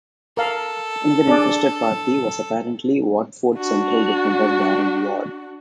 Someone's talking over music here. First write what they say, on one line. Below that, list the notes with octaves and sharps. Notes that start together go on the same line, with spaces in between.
Another interested party was apparently Watford central defender Darren Ward.
A4 A#4 F5
D4 G#4 D5
D4 F#4